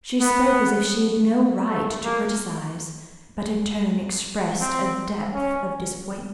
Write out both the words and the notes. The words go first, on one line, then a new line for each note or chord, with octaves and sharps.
She spoke as if she had no right to criticise; but her tone expressed a depth of disappointment.
B3
A3
A#3
C4
C#4